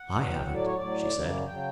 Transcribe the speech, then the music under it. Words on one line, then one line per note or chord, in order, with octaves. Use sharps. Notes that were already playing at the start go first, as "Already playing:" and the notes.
"I haven't," she said.
Already playing: F#5
E2 B2 F#3
G5
A2 F#3 F#5
D5
C#5
A2 F#3 D5
F#2 C#3 F#3
C#3 F#3 G5